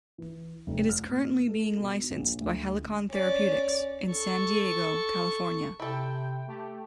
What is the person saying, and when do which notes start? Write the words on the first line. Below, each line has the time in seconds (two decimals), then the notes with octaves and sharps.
It is currently being licensed by Helicon Therapeutics in San Diego, California.
0.18 E3
0.67 F1
0.89 F6
1.08 A#2
1.49 A4
1.79 B2
2.10 A#1
2.41 D2
3.11 C#4 D5
4.10 A4 C#6
5.80 C3 E4 A4 G5
6.47 A3 G4